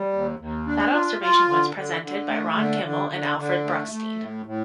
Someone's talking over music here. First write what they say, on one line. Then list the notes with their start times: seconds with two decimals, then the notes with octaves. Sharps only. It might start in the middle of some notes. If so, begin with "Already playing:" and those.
That observation was presented by Ron Kimmel and Alfred Bruckstein.
Already playing: G3
0.13 D#2
0.39 D#2
0.67 D4
0.93 F4
1.21 F4
1.48 D3
1.76 D3
2.02 D3
2.29 A3
2.56 D3
2.84 D3
3.11 D3
3.38 D3
3.64 A3
3.92 A3
4.19 A2
4.46 A2